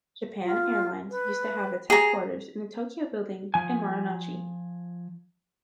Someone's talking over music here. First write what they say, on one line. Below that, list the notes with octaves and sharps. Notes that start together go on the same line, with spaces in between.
Japan Airlines used to have its headquarters in the Tokyo Building in Marunouchi.
F4
B4
G#4 A#5
F3 G#5